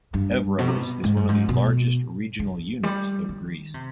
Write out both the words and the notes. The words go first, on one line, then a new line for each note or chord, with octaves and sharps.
Evros is one of the largest regional units of Greece.
G2
B2
C3
B2
G#2
G2
G#2
B2
D3
G3
D#3
C3